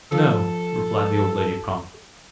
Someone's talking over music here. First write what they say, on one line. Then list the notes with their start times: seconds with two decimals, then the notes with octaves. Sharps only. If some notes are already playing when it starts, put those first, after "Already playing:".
"No," replied the old lady, promptly.
0.12 F3 A4